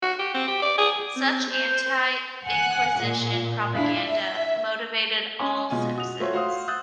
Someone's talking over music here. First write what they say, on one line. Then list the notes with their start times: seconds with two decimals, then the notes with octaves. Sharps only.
Such anti-inquisition propaganda motivated "all" citizens.
0.03 F#4
0.19 G4
0.34 C4
0.48 G4
0.62 D5
0.78 G#4
1.16 C4
1.51 C5
2.47 F#5 G#5 F#6
3.01 A#2
3.73 D4 E4 F5
4.06 E5
5.40 C#4
5.70 B2 G#3 F4 G#5
5.95 F#4 D#6 F7
6.20 A3 F4 F#4 C5 C#5
6.33 F#4 C5 F5 D#6
6.68 D#6 E6 F#6 G6 A6